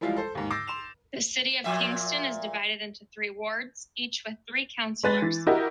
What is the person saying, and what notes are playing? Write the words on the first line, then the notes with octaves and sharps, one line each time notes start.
The City of Kingston is divided into three wards, each with three councillors.
E3 F3 G3 G#3 E4 F4
A4 C5
D#2 G#2
D6 E6 G6 A6 A#6 C7
C6 E7 F7
A#2 F3 E5
G#3 B4 A6
E3
E4 F#4 G4 A#4 D#5